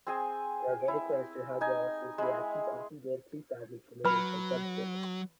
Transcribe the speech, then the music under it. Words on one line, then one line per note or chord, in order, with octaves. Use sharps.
In organic chemistry, hydrolysis reactions often give two fragments from an initial substrate.
C4 G#4 G#5
E4
D#4 G#5
G#3 E4
F#3 B4 B5